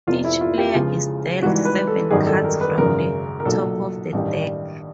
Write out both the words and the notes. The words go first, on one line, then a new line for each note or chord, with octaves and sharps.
Each player is dealt seven cards from the top of the deck.
F1 F2 C3 F3 F4
E4
F4
G4
C#2 C#3 F3 F4
G#1 G#2 E3 G3 F#4
B4
A4
G#1 F#2 D#3 G3 G#4
A4
A#4
B4
G#1 F#2 C#3 A#4
A#4
B1 A#2 F#3 A4
A1 G2 D#3 G3